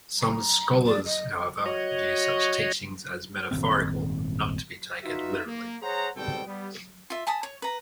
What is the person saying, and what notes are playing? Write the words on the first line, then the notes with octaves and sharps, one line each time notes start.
Some scholars, however, view such teachings as metaphorical, not to be taken literally.
A#5
D5
D#5
F#4 C#5 D#5
D#1 G#1 F#2 C4
D#4 F4 F#4 B4 E5
A#3
G#4 C5 C#5 F#5 A#5
G#1 B2 G3 C4 A4 G5
G3 B3
F4 E5
G#5 A5 B5 D#6
C#5
B4 A#5